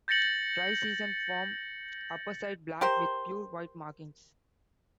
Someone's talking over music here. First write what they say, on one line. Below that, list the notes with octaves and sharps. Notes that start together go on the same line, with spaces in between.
Dry-season form - Upperside black, with pure white markings.
G6 A6 A#6 C#7 F#7
G4 A#4 C5